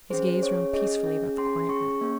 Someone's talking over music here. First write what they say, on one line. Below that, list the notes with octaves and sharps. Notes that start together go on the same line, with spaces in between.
His gaze roamed peacefully about the quiet room.
C#4 G#4 C5
C#4 G#4 C#5
C#4 G#4 D#5
C#4 G#4
C#4 G#4 C6
C#4 G#4 C#6
A#3 C#4